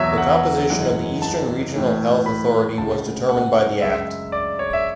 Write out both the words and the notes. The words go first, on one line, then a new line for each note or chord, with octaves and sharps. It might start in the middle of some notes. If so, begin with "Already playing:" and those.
The composition of the Eastern Regional Health Authority was determined by the act.
Already playing: E2 B2 F#3 C#5 E5
F#5
F#2 E3 G#3
A5
A2 E3 A3
B5
D2 C#3 G#3 A5
F#5
F#2 C#3 G#3 E5
D5
C#5
E5